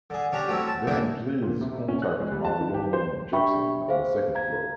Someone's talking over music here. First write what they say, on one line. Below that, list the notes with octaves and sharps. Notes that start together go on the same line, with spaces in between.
Then please contact Marlon Jepsen on the second floor.
D3 G#4
C#4 D4 G4 A#5
F#3 A3 C4 C#4 E4
A5
D#3 E3 A#3 D4 E4
A#2
C3
C#4
F#6
G#3
G3
A5
D#3
G4
C5
D4 G4 E5 G5 B5 C#6
G#4 C5 F5
F5 A#5 G#6